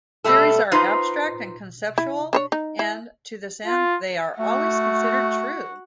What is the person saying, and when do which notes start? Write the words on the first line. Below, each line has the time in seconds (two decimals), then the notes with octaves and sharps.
Theories are abstract and conceptual, and to this end they are always considered true.
0.24 B2 G3 A3 A4
0.72 D#4 F4 B4 C5
1.98 E4
2.33 D4 C5 C#5
2.52 D#4
2.79 E4
3.66 F4
4.39 A3 F#4